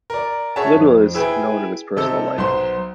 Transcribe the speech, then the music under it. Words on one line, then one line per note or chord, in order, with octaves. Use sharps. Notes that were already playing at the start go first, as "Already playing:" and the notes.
Little is known of his personal life.
A#4 D5
C#4 G#4 C#5 E5 F#5 A5
F2
E4 G#4 B4 G5 G#5
C3 D#4 A4 E6
B1 C5 F#5 C6